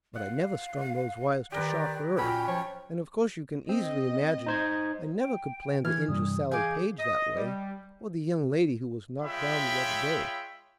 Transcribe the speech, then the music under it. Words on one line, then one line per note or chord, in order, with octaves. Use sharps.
"But I never strung those wires to shock her, and of course you can easily imagine I never could plan to injure Sallie Page that way, or the young lady who was knocked down the other day."
F5 F#5
D#3 G4 A#4 B4 D5
A#2 F#3 C#4 G5 B5
F3 C#5
C4 D#5
D#4 C5 G#6
G5
E3 F6 G#6
G2 C3 G3 D#6
G#4 D#5 F5 G#5 D6 G6
D#5
G3
G#3 F4 C#5 E5 G5 B5